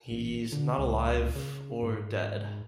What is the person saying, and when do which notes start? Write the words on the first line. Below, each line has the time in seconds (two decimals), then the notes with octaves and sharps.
He's not alive or dead.
0.11 A1
0.52 D3
0.78 C#2
1.35 C#3
1.83 G#2